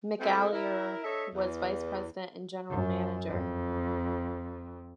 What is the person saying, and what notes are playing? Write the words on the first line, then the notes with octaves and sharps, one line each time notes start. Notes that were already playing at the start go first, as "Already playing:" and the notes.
McAleer was vice president and general manager.
G#3 A3 C4 E4 F#4 A4
E4 A#4
D4 A4 C#5 D#5 E5
E2
F#2
F2